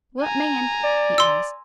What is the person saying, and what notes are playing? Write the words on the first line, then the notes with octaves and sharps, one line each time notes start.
"What man?" he asked.
G#5 A#5
D5
C6 E6